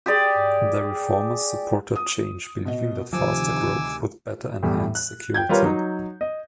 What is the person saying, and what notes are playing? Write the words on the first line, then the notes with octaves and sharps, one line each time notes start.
The reformers supported change, believing that faster growth would better enhance security.
G4 G#4 D5
D#6
B2 D#5
D2 C3 D#3 F3 G#5 D6 E6
E2 A2 E3 G3
F#6
G5 G6 G#6
G3 F4 A#4 B4 C#5
F#3 D#4
D#5